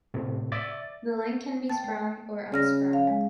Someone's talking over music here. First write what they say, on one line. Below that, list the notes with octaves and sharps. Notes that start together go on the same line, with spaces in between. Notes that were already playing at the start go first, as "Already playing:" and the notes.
The link can be sprung or unsprung.
A2 C3
D5 E5 D6 A6
G5 A5 A6
A3
C#3 D5 F6 A#6
F5
G#3